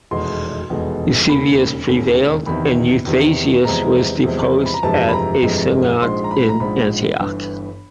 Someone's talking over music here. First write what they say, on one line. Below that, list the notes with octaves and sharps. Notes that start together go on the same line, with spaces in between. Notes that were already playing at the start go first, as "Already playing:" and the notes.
Eusebius prevailed and Eustathius was deposed at a synod in Antioch.
F1 E2 B2 G#3 C6
F1 E2 B2 G#3
E1 D#2 C#3 B5
E1 D#2 C#3
E2 C3 D#3 B5
E2 C3 D#3
E2 C3 F3 G#3 A#5
E2 C3 F3 G#3
B5
A#5
G1 F2 C3 E3 G#3 A5
B5
A#5
G1 F2 C3 E3 G#3
A#1 G#2 F3 G#3 C6
A#5
B5
A#5
A#1 G#2 F3 G#3 B5
G1 G2 E3